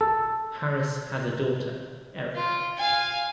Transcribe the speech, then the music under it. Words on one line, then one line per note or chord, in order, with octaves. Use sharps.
Harris has a daughter, Erika.
A4
F4
F5 G#5